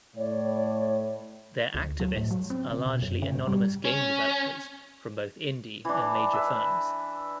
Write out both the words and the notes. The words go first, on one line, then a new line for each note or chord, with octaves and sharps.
Their activists are largely anonymous game developers from both indie and major firms.
A2 C#5 D5
D2
F#3
A2
F#3
C4
C#3
B2
F#2
C#3
G#2
G3
C#4
E3 D4
B4 E5